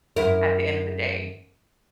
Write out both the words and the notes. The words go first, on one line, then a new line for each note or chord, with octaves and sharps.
at the end of the day.
F#2 E4 A#4